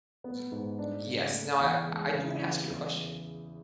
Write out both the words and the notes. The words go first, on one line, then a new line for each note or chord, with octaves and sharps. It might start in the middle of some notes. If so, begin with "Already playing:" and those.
Y y yes. Now I I do wanna ask you a question.
B3
G#2
D4
C#3
A3
E2
G#3
C#3
E3
E2